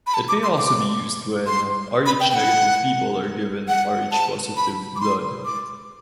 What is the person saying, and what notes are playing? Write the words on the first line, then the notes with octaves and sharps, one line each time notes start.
It may also be used when Rh negative people are given Rh positive blood.
B5
A5
D6
C6
D6
C6
B5
G5
G5
F#5
F#5
A5
B5
D6
C6
D6